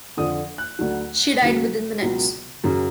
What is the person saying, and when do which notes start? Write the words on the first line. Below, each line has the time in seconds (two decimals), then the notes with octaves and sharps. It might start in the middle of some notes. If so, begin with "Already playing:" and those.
She died within minutes.
0.17 F2 D3 F3 D#6
0.58 F#6
0.79 D2 D3 F#3
1.41 D#2 C#3 F#3
2.02 C#2 B2 F#3
2.64 F#2 C#3 F#3